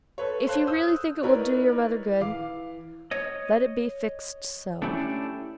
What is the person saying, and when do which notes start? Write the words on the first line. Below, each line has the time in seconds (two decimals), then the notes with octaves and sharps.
If you really think it will do your mother good, let it be fixed so.'
0.18 A4 B4 C#5
0.47 C5 C#5 F5 A5 C6 F#6
0.67 D#6 E6 G6
1.22 D#4 E4 A#4 B4 C#5 D5
2.21 E3 F5 D6
3.11 C#5 D#5
4.82 A3 C#4 D4 E4 G4